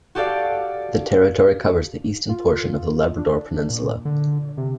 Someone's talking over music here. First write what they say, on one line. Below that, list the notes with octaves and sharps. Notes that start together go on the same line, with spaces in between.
The territory covers the eastern portion of the Labrador peninsula.
F#4 G4 A4 D5 F5
F4
D4
A#2
D3
C3